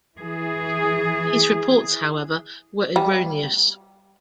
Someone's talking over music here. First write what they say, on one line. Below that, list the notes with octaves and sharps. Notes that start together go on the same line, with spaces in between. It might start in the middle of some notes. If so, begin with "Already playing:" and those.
These reports, however, were erroneous.
E3 G#4
G3